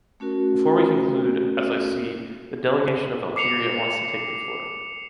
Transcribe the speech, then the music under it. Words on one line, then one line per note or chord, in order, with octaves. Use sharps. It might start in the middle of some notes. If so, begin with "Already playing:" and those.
Before we conclude, as I see, the delegation of Algeria wants to take the floor.
A3 C#4 F#4 A#4
D6 C7 C#7 F7